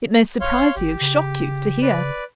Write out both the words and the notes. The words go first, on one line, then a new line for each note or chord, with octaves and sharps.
It may surprise you, shock you to hear.
F#1 C#5 F5 C6
G1 G4
C#3
B4 D5